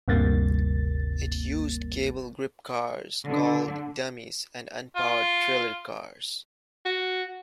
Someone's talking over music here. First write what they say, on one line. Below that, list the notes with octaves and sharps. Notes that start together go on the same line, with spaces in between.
It used cable grip cars called "dummies" and un-powered trailer cars.
G1 D2 G2 C3 A#3 A6
D3
F4
F#4